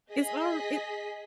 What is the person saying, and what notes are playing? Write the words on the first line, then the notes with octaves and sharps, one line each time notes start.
is our i
G#4 D#5 B6